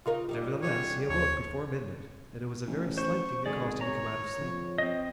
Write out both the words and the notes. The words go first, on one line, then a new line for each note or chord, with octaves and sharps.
Nevertheless he awoke before midnight, and it was a very slight thing that caused him to come out of sleep.
C#3 D#4 F4 A#4
G3 D#4 D5
D3 G3 C#4 C#5
D#2 C#5
A1
C5 C#6
G#1 D3 G#4 D5
C#5 A#5
F2
C4 D#5